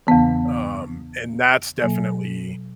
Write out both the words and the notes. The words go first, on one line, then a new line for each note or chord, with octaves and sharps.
Um, and that's definitely
E2 C#3 E3 B3
B2 F#3 A#3